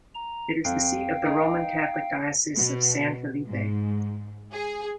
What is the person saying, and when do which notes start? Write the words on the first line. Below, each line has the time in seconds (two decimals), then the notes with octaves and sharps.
It is the seat of the Roman Catholic Diocese of San Felipe.
0.15 A#5
0.65 F2 F5 G5
1.26 D#4
2.55 B2
3.46 G#2
4.52 G#4